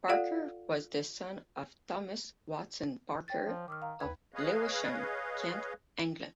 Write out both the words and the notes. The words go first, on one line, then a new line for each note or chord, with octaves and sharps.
Parker was the son of Thomas Watson Parker of Lewisham, Kent, England.
F4 A4 D5 F5 F#5
C#5 G5 A6
F3
D#3 D6 E6 F6
F5 A#5
D#2 B4 B5 G#6
G#4 B4 C#5 D#5 F5